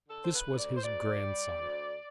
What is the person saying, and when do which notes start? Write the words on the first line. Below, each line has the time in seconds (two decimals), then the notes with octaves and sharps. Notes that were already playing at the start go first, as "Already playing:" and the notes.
This was his grandson.
0.08 D3 A4
0.24 C5
0.34 B4
0.46 D2
0.59 D5
0.76 C5
0.83 D2 D5
1.22 G3
1.60 D2